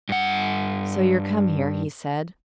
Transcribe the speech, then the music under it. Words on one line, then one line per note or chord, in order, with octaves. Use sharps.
"So you're come here," he said.
G2 F#5